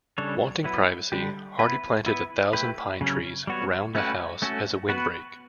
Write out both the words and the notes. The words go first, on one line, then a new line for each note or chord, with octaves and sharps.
Wanting privacy, Hardy planted a thousand pine trees round the house as a windbreak.
C#3 G3 D4 A4 C#5
F#3 B3 E4 B4
D3 G3 D4 G4
B3 E4 B4
B3 E4 B4
A3 E4 G4 B4
C#3 F#3 C#4
G3 B3 F#4 C#5
A3 C#4 F#4 B4
A3 C#4 F#4 A4
B3 F#4 B4